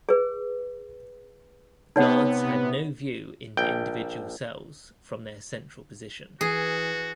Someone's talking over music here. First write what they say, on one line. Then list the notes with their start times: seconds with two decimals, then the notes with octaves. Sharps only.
Guards had no view into individual cells from their central position.
0.09 G#4 B4
1.96 C3 B3 D#4 C#5 F#5
3.57 A#1 G5
6.41 E3 F#4 G#4